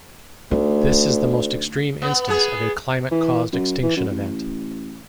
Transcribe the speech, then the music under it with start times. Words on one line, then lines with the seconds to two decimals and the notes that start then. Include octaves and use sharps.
This is the most extreme instance of a climate-caused extinction event.
0.51 D2 A3 D#4
2.02 B3
2.28 B3 G#4
3.11 E3
3.53 F#2
3.82 E3
3.97 F#2
4.10 A1